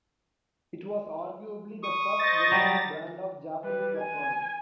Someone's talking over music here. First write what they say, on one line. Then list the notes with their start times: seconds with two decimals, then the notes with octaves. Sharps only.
It was arguably the first well-known brand of Japanese electronics.
1.83 C#6 D#6
2.19 C5 D#5 A6 A#6
2.52 F#3 G3
3.63 G3 B4
3.99 G#5